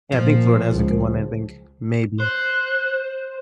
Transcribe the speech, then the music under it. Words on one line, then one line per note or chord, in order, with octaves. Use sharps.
Yeah, I think Florida has a good one, I think, maybe.
A#2 F3
C#2
C5 F#6